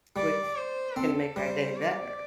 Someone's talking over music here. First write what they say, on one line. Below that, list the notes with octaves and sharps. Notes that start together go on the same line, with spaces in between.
which can make our day better,
G3 D5
C5
C4 A4
G3 C5
D5